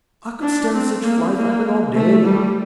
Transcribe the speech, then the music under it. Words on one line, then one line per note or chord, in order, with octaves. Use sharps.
I could stan' such fly-flappin' all day.
D4
C4
A#3
A#3
A3
G3